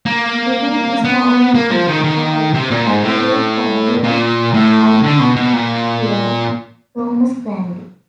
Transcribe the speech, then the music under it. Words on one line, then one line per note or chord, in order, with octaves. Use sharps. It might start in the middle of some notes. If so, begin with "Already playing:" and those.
Renner is married to retired Italian-Canadian alpine skier Thomas Grandi.
A#3
B3
A#3
F3
D#3
D#3
C3
A#2
G#2
A2
A#2
A2
D3
B2
B2
A#2